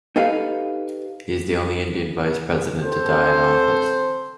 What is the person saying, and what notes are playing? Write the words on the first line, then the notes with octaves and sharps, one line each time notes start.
He is the only Indian Vice President to die in office.
D#4 G4 A4 B4 F5
C4 A4 C5